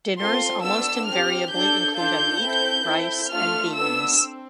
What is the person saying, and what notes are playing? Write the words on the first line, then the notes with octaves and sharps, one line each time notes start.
Dinners almost invariably include a meat, rice and beans.
C4 F4 A4 C6
B3 D4 F4 A4 E6
C4 G4 F6
D4 A4 G6
D4 F4 A4 G6
C4 E4 A4
C4 E4 A4
A3 D4 F4 A4 F6
B3 D4 A4 E6
C4